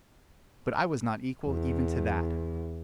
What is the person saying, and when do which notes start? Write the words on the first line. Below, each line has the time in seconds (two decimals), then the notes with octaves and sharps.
But I was not equal even to that.
1.48 E2